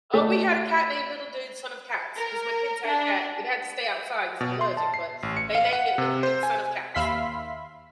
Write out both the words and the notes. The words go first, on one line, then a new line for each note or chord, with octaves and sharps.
Oh, we had a cat named Little Dude Son of Cats 'cause my kids had a cat. It had to stay outside 'cause I'm allergic, but they named it Little Dude Son of Cats.
A3
A#4
D4
B2
C6
A5
C7
A1
C#7
F5
F#5
C3
C5
G#5
D#2 E5 F5 B5 C6 B6